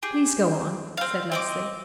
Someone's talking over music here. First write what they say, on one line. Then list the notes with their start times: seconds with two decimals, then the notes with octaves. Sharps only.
"Please, go on," said Leslie.
0.03 G4 G#4
0.97 C4 F5
1.32 C4 D#5 D6